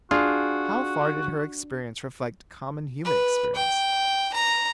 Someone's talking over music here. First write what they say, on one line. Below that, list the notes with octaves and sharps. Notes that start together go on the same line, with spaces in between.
How far did her experience reflect common human experience?
D4 F4 F#4 G#4
B4
G5
A#5